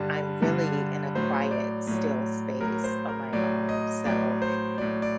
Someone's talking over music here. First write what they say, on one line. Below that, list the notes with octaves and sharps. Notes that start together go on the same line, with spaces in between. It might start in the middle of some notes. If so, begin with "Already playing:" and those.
I'm really in a quiet, still space on my own, so
Already playing: G2 D3 G3
G2 D3 G3
A2 F#3 C5
D5
A2 F#3
A2 F#3 A#4
C5
A#4
A2 F#3 D5
D#5
A2 F#3 D5
C5
A2 F#3 D5
D5